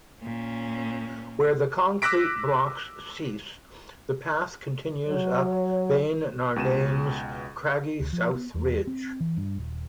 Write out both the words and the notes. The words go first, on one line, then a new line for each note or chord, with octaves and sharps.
Where the concrete blocks cease, the path continues up Beinn Narnain's craggy south ridge.
A#2 C#4
D6 E6 F#6 A#6 B6 D7
F#3 C#5
C#2 B2 D#7 E7
D2
F3
B3
E2
C4
E3
G2
D#1